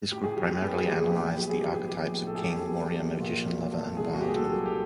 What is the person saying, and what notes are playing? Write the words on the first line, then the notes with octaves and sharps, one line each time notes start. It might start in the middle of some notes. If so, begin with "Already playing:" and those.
This group primarily analyzed the archetypes of King, Warrior, Magician, Lover and Wildman.
A2 G4
G#4
F#3 G4
G#4
B3 G4
G#4
A#1 G4
G#4
A2 G4
G#4
F#3 G4
G#4
B3 G4
G#4
A#1 G4
A2
A4
G#4
F#3 G4
B3
A#1
A#2
F#3
A3
C2 G#4
F#4
A#2 G4
G#4
A4
F#3
G4